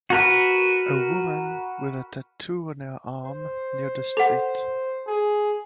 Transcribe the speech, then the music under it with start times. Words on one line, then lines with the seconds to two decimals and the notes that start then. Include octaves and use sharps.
A woman with a tattoo on her arm near the street.
0.10 F#4 A#4 B4
3.25 C5
4.17 A4 F#5
5.07 G#4